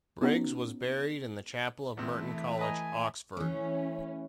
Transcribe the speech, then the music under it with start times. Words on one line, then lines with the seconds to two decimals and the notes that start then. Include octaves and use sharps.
Briggs was buried in the chapel of Merton College, Oxford.
0.22 B3 C#4 D#4 F#4
1.97 E2 C3 E3 A3
2.59 B4 D#5 G#5 A#5
3.37 E3 A3 C#4